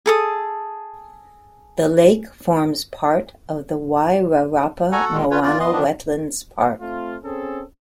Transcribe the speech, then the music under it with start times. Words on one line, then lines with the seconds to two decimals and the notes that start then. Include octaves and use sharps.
The lake forms part of the Wairarapa Moana Wetlands Park.
0.06 G#4 A4 D#6
4.92 F#4 A4 F#5 G#5 A#5
5.12 A#2 D#3 G#3
5.31 C#4 F4 B4 C#5
5.43 E2 E3 F4 D5
5.60 B3 D#5 C6
5.72 D#3 F3 D4
6.81 A3 C4 F4
7.24 C4 C#4 G#4 A4